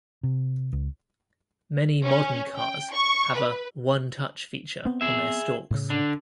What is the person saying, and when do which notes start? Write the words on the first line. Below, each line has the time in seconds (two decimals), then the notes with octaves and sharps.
Many modern cars have a "one-touch" feature on their stalks.
0.23 C3
0.73 C#2
2.04 C#4
2.57 G5
2.92 C#6
3.34 B4
4.85 B3 C4
5.01 G#4 E5
5.70 A2 C#3
5.90 D3 D4